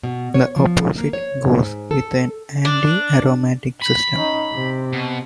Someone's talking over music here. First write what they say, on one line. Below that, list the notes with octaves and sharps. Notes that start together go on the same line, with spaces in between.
The opposite goes with an anti-aromatic system.
B2
C#5
F3
A#3
C#5
G#2
A4
D4
B5
C#4 D#4
C3
B2